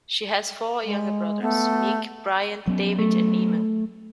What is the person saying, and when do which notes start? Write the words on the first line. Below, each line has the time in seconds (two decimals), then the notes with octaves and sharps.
She has four younger brothers: Mick, Brian, David and Eamonn.
0.84 G#3
1.42 A3 B3
2.67 F#3 B3 C#4
2.99 A3